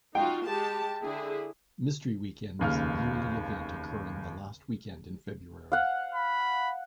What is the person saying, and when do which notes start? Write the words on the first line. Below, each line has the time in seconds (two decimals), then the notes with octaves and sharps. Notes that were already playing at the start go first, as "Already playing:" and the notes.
Mystery Weekend is a yearly event occurring the last weekend in February.
0.15 D#4 F4 F#4 G5
0.46 G#3 G4 A5
1.02 D3 E4 G#4
2.59 F1 D#2 C#3 F6
5.72 F5 F#5
6.15 B5